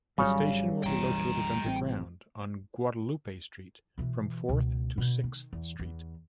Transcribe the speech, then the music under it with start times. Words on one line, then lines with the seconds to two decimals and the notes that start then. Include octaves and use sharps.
The station will be located underground on Guadalupe St from Fourth to Sixth Street.
0.18 G#1 C#3 F#3 G3 C#5
0.83 F#1 B1 E3 G5 A#5
1.65 A1 C4
3.98 B2 E3
4.49 C#2 B2
4.98 B2 D3
5.24 D#3
5.53 E2
5.79 E2